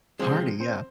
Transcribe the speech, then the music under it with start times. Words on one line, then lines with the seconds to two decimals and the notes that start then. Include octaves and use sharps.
Hardy, yeah.
0.19 C3 F3 G#3 C4 C5
0.60 C4 C5